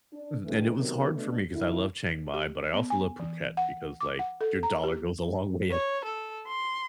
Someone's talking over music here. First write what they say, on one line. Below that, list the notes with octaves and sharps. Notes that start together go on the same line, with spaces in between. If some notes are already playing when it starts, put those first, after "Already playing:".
Mhm, and it was hard for me 'cause I love Chiang Mai, but I also love Phuket because, like, your dollar goes a long way at
D4
D3 E3 G#3 A3 C4
C3 D#3 F#3 A3 B3
B2 A3 D4
B2 D3 D#3 E4
G4
B3
G#5
E3
F#5
D6
F#5
A4
A#5
G4
C#5
A4
C6